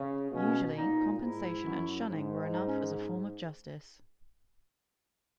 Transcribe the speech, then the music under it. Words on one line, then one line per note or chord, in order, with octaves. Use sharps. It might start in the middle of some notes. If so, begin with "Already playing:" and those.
Usually, compensation and shunning were enough as a form of justice.
Already playing: C#3
B2 C#4
A#2 D#4
G#2 E4
F#2
G#2
D#4
C#4